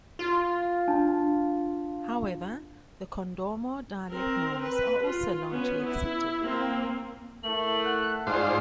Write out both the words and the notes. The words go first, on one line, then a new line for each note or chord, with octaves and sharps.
However, the Kondoma dialect norms are also largely accepted.
F4
D4 A5
C4 A#4
B4
F4
B3 C#4
E4
A#3 C4
A3 E4 A#4 F#7
F#5 F#6
G#2 F4 C5 D5 A5 D6